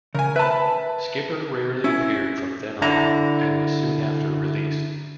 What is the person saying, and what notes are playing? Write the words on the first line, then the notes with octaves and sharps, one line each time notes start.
Skipper rarely appeared from then on and was soon after released.
C#3 A#4 G#5
B4 E5 A5 B5
C#4 E4
D3 E4 A#5